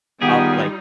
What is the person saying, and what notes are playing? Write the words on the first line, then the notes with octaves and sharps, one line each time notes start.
up like,
D#3 G3 B3 D#4 F4 G4 G#4